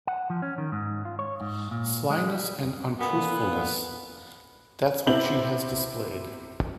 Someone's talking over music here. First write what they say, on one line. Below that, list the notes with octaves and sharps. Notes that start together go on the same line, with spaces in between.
Slyness and untruthfulness — that’s what she has displayed.
F#5
F3
C#4
D#3
G#2
F4
C#5
G#2
A#2
G#3
G3
A#2 D3 A#3 B3
C3 B3 C4 E4 G6 F#7